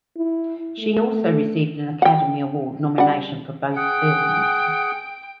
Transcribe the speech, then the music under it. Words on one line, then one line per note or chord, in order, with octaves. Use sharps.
She also received an Academy Award nomination for both films.
E4
A3
F#5 G5
G3 F#5
G#4 F#5 G5 D7